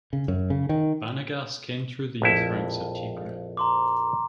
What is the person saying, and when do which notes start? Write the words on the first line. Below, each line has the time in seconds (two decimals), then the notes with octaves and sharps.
Banegas came through the youth ranks at Tigre.
0.13 C#3
0.28 F#2
0.50 C#3
0.69 D#3
2.22 A#1 F2 E4
3.57 A#5 C6 D6